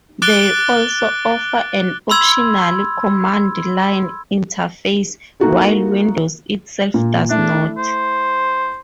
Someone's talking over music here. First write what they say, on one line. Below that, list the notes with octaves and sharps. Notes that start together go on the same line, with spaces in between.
They also offer an optional command-line interface, while Windows itself does not.
D6 F#6 A6 D7 G7
B5 C6 E6 G#6
A#3 D#4 E4 F#4 A4 A#4
A#2
A3 D4 E4
C5